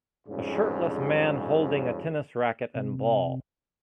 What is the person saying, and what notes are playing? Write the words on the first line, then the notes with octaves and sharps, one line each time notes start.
A shirtless man holding a tennis racket and ball.
A1 F2 G#2 C#3 G3 C#4
C3